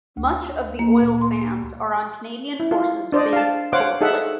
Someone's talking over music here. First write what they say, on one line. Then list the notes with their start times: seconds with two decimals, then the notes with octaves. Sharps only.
Much of the oil sands are on Canadian Forces Base Cold Lake.
0.17 D2
0.79 A#3
1.01 A#2
1.21 C6
2.60 E4
2.71 F4
3.12 D4 C5 D5 D#5
3.33 F5 A5
3.73 C5 C#5 F5 F#5 D6
4.01 D#4 G#4 A4 E5 F#5